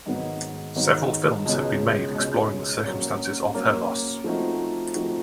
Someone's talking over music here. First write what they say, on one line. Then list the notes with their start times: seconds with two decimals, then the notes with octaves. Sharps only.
Several films have been made exploring the circumstances of her loss.
0.06 G#2 D#3 F#3 B3
0.76 G#2 D#3 F#3 B3
1.45 C#2 B2 G#3 C#4
2.15 C#2 B2 G#3 C#4
2.84 F#3 A#3 C#4
3.54 F#3 A#3 C#4
4.24 F3 A3 C4 D#4 F#4
4.94 F3 A3 C4 D#4 F#4